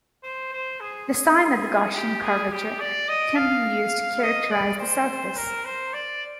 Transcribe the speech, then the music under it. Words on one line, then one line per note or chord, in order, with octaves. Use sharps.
The sign of the Gaussian curvature can be used to characterise the surface.
C5
C5
G#4
G#4
G4
G#4
G4
D5
D#5
F5
D#5
D5
C5
A#4
C5
D5